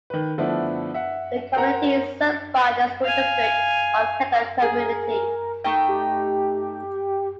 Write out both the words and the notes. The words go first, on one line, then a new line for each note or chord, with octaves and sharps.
The community is served by the School District of Cadott Community.
D#3 B4
D3 F3 A3 B3 D4 E4
E5 F#5
A#4 C5 F#5 A#5
F5 G#5
G#4 A#4
A3 D#4 G5
G4